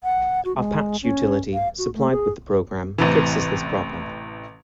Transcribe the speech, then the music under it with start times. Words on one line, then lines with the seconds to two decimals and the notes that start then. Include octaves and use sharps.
A "patch" utility supplied with the program fixes this problem.
0.03 F#5
0.45 F#4
0.57 G#3
1.03 C#4
1.53 F5
1.78 F#4
1.95 A3
2.11 G#4
2.98 A1 C3 E3